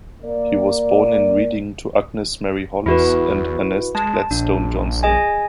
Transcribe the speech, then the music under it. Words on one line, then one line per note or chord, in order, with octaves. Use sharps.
He was born in Reading to Agnes Mary Hollis and Ernest Gladstone Johnson.
A#3 D5
E2 E4 F#4 B4
G#3 A5
A#1 D4
G#4 D#5 G#5